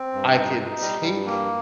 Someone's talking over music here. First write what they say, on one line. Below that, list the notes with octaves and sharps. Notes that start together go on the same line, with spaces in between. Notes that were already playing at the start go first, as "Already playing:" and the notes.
I can take
Already playing: C4
G2
D#4
D#4
G3
G2
A#3